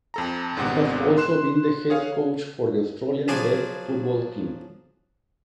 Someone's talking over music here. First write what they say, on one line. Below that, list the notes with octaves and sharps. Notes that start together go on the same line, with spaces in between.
He has also been the Head Coach for the Australian Deaf Football team.
F2 A4 A#5
G#1 G#2 C3 B3 F#5
C6 F#6 E7
G#4 C#5 F5
F3 F#3 G#4 D5 G#5